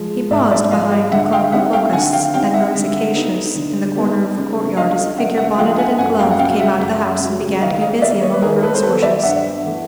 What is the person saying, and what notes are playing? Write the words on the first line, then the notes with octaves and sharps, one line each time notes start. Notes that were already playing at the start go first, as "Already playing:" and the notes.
He paused behind a clump of locusts and rose-acacias in the corner of the courtyard as a figure bonneted and gloved came out of the house and began to be busy among the rose-bushes.
Already playing: F3 G#3
G#2 D5 E5
D5 E5
F3 G#3 D#5 F5
D#5 F5
D3 E5 F#5
F5 G5
G3 C4 D#4 E5 F#5
F5 G5
D3 F#5 G#5
F5 G5
G3 C4 D#4 F5 G5
E5 F#5
D3
G3 B3 D#4
D3
G3 B3 D#4
C#3
F3 A3 D4 D#5 F5
C#3 E5 F#5
E5 F#5
F3 A3 D4 F5 G5
F#5 G#5
F#2 F#5 G#5
F5 G5
F#5
C#3 F#3 F5 G5
E5 F#5
F#2
C#3 F#3
D#3 D#5 F5
D#5 F5
G3 B3 D5 E5
C#5 D#5
B4
D#3 G#4 A#4
A4 B4
C5
G3 B3 A4 B4
D5 E5
G2 E5 F#5
E3 A3